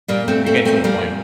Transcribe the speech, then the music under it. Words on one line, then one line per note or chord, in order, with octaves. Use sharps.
It gets to a point.
A#2 G3 A#3
A3 C4
A3 C4
A3 C4
G3 A#3